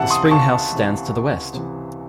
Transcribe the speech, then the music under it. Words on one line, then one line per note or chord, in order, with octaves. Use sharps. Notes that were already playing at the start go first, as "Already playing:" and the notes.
The spring house stands to the west.
Already playing: C#2 C3 E3 E5 F#5 A5
C6 D#6
C#2 A5 C#6
C3 E3
C#2
C3 E3